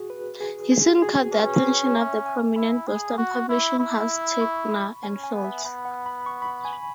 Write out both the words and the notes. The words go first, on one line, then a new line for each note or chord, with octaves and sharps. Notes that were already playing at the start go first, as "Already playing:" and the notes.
He soon caught the attention of the prominent Boston publishing house Ticknor and Fields.
Already playing: F#4 G#4
B4
G#4
G#4
F#4
G#4
G#4
C#4 B4
B4
C#5
E5
G#5
E4 B5
G#4
F#4 C#6
E4
E4 B5
B5
C#6
B5
C#4 G#5
G#5
B3
E5
B3 B5
F#5
B5
C#6
B5
G#5
B5